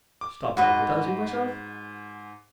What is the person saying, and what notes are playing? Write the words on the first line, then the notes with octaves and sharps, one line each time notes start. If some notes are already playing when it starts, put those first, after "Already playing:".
Stop advertising myself!
D6
G#2 F#4 B4 D#5